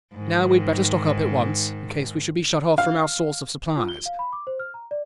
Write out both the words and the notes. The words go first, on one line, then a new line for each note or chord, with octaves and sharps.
And now we’d better stock up at once, in case we should be shut off from our source of supplies.
G#2 D#3
F5
F4
G7
F5
B5
D6
C5
F6
A#5
D5